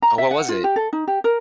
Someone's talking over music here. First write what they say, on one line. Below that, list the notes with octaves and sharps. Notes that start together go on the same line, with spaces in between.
Oh, what was it?
A#5
E5
F#5
F4
G4
A4
D#4
G4
A#4